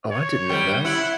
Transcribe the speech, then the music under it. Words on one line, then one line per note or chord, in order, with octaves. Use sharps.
Oh, I didn't know that.
C#5
G3
E4 F#5